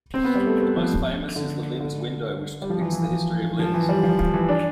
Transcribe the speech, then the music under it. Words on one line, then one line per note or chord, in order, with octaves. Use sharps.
The most famous is the Linz Window, which depicts the history of Linz.
C4
B3
G3
A3
A3
F3
D3
D3
G3
F3
E3
E3
F3
F3
E3
G3
F3
F3
E3
D4